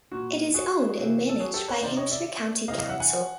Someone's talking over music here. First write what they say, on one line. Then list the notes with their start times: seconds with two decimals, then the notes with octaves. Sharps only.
It is owned and managed by Hampshire County Council.
0.12 A#2 F#4
0.54 F#4 G#4
0.97 C3 E3
1.29 A4
1.40 F#4 G#4
1.54 G4 A4
1.68 B4 C#5
1.83 C3 D#3 C5 D5
1.97 C#5 D#5
2.11 D5 E5
2.68 C3 D#5 F5
2.72 E3
2.79 D#5 F5
2.89 E5 F#5
3.00 F#5 G#5